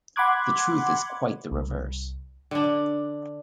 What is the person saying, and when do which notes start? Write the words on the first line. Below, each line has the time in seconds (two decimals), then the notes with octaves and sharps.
The truth is quite the reverse.
0.16 F#5 B5 C6 D6 F#6 G#6
1.51 C2
2.51 D3 D4